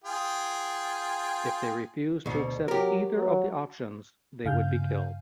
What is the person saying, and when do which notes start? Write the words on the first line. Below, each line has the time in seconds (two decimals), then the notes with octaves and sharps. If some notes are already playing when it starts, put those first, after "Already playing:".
If they refused to accept either of the options they would be killed.
0.04 F4 G#4 G5
2.26 D2 B2
2.68 F#3 G4 A#4
3.16 F#3
4.45 G2 C#3 F5 G#5 F6 G6